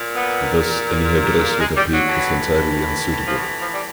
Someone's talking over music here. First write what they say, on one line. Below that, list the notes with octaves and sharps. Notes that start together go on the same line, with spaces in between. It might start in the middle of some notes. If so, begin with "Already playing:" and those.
Thus, any headdress with a peak was entirely unsuitable.
Already playing: A#2
B3
A#3
G#3
G3
F#3
A2 E3
F3
F#3
F3
G3